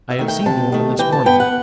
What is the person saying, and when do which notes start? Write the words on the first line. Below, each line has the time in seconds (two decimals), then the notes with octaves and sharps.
'I have seen the woman, this morning.
0.10 E5
0.19 D#3 A3
0.28 G5
0.46 C3 A5
0.72 D#3 A3
0.99 E3 G5
1.12 A5
1.26 B3 G5
1.40 F#5